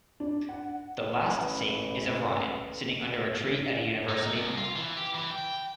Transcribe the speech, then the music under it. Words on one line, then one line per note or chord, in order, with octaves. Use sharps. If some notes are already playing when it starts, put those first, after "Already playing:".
The last scene is of Ryan, sitting under a tree at a university.
D4
F#5
A1 B4
D#4
C2
F4
E3
G4
E3
G5